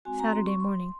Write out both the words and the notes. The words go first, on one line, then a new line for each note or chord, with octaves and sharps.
Saturday morning.
G#3 C4 F#4 G#5
A#5
C6
C#6
C6